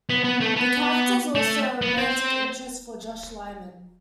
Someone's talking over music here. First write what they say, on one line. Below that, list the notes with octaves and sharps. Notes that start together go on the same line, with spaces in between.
The character is also a romantic interest for Josh Lyman.
B3
B3
A3
B3
A3
B3
C4